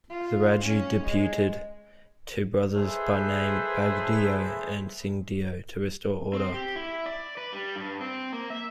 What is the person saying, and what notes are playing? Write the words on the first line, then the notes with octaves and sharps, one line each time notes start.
The Raja deputed two brothers by name Baghdeo and Singhdeo to restore order.
F4
C#4
G#3
D#4 G#4 A4 B4 C5 E5
C4
G4
E4
D5
B4
G3
G2
C4
A#3
E5